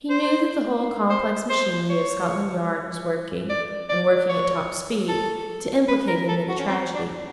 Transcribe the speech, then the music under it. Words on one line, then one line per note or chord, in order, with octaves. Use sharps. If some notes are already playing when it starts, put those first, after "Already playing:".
He knew that the whole complex machinery of Scotland Yard was working, and working at top speed, to implicate him in the tragedy.
C5
C5
C5
C#5
D5
D5
C#5
A4
B4
A#4
A4
F#4
C#4
C4
D4